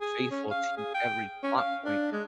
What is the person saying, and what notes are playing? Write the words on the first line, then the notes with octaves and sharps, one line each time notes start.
faithful to every plot point,
G#4
C#4
F5
G#4
G5
C#4
F5
D4
G#3